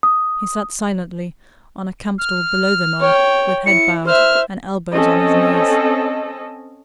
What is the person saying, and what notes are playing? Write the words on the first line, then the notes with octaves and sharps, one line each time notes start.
He sat silently on a campstool below the knoll, with head bowed and elbows on his knees.
D#6
F6
C#5 G5
E4 C#7
C5 E5 F6
C4 C#4 A4 D#5